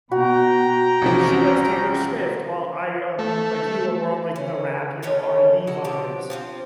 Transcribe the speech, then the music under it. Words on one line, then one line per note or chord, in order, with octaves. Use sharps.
she likes Taylor Swift while I am, like you, I'm more on, like, the rap, you know, R&B vibes
B2 F#4 G5 A#5
A1 C3 F3 C4 C#4
A3
C#4
C#3 A3 C#4 C#5
G#3 F#4 A4
B2 D3 F3 G4
F3 C4 F4